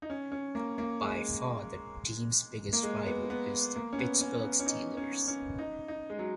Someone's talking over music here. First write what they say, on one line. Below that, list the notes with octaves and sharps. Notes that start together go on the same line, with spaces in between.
By far the team's biggest rival is the Pittsburgh Steelers.
D#4
C#4
C#4
A#3
A#3
G#3
A#3
G#3
B3
B3
A#3
C#4
B3
C#4
B3
C#4
D#4
C#4
C#4
D#4
D#4
G#3
F#3